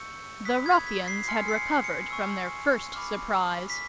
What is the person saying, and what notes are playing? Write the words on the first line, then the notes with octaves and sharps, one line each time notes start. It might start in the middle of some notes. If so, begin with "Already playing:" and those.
The ruffians had recovered from their first surprise.
Already playing: C#6 E6 G6 C#7
B5 D#6 F#6 B6
G#6
B6
C7
C7
G#5 C6 F6 C#7
C7
C#7
C#7
G#5 C#6 E6
B5 D6 F6
B6